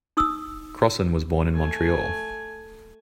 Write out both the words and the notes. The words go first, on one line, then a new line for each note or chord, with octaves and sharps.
Crossan was born in Montreal.
D#4 C#6 D#6 E6
A3 G#5